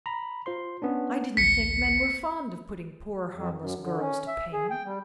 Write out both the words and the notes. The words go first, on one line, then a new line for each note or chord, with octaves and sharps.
"I didn't think men were fond of putting poor harmless girls to pain."
A#5 B5
F4 C5 C6
B3 C#4 D4
A1 D2 B6 C#7
F2
F#2
D3
C#4
E5
G#4
G5
G3